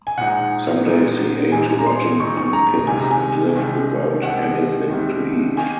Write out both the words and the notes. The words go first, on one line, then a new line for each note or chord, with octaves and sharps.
Some days he ate rotten pumpkins and lived without anything to eat.
G#5
A#1 A#2 G#3 D#4 F#5
A#1 A#2 G#3 D#4
A#1 A#2 G#3 D#4 G#5
A#5
C6
A#1 A#2 G#3 D#4 C#6
C#6
A#5
C2 C3 D#3 G#3 G#5
A#5
G#5
C2 C3 D#3 G#3
C2 C3 D#3 G#3 F#5
C2 C3 D#3 G#3
D#3 A#3 D#4 G#5